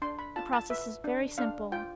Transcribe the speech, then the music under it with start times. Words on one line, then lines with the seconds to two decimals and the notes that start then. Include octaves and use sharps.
The process is very simple.
0.02 D4 C6
0.19 B5
0.36 F4 A5
0.53 A5
0.70 B4 E5
1.04 D4
1.38 D4 F5
1.72 F4 G5